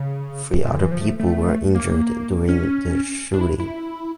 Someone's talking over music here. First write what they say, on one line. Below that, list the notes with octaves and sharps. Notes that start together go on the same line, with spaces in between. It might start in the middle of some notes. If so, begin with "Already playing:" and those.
Three other people were injured during the shooting.
Already playing: C#3
A#2
D3
E3
F3
A3
A3
A#3
C#4
D4
E4
E4